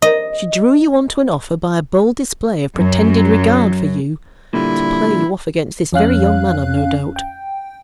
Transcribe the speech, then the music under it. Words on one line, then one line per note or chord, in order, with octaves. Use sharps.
She drew you on to an offer, by a bold display of pretended regard for you,--to play you off against this very young man, I've no doubt.
D#5
F#2 F#3
A#2 D3 G3 E4
F2 C#4 F5 F#6
G5